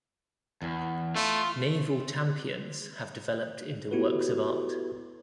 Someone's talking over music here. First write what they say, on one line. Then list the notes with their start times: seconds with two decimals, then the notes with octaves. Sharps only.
Naval tampions have developed into works of art.
0.62 E2
1.15 A3 F4
3.91 B3 E4 F#4 G4 A4 B4